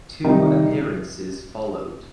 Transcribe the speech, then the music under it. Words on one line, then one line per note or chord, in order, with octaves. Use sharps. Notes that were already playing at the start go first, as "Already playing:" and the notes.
Two appearances followed.
C3 D#3 G3 D#4